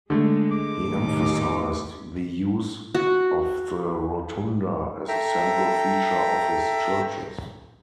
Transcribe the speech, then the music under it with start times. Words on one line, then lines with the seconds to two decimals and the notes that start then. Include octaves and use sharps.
He emphasized the use of the rotunda as a central feature of his churches.
0.10 D3 G#3 A3
0.52 D6
0.85 D#2 A2 D#4
2.95 F#4
5.08 A4 E5 G5 A#5